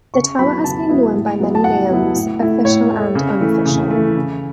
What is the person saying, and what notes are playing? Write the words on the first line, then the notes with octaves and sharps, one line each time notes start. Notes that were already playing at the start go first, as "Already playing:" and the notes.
The tower has been known by many names, official and unofficial.
C#3 C#6
F#3 B3 E4 B5
C#3 A5
F#3 B3 E4
A2
F#3 B3 E4
A5
A2 F#5
F#3 B3 E4
A2
A3 E4
A2 C#5
A3 E4
C#3
E3 A3
C#3
E3 A3
C#3